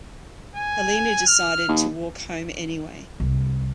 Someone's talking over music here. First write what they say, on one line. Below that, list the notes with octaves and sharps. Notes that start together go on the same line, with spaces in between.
Helena decided to walk home anyway.
G#5
F6
D#2
C2